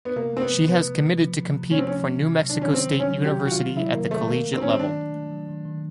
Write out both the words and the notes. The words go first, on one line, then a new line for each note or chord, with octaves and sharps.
She has committed to compete for New Mexico State University at the collegiate level.
B3
C3 A#3
A3 C4
B3
F3
C3 B3
C3
A3
F3
C3
C3
A3 C#4
C4
F3 C#4
C3
C3
F#3
D4
D#3
C#4
C3 C4
C3
C#4
F#3
D#3 G4
C3 F#4
F4
C3
F#3 E4
D#3 A#3
C3 A3
D#3 A#3
A3
C4
F#3 C#4
C4
D#3 D4
D#3
A3
F#3
D#3
D#3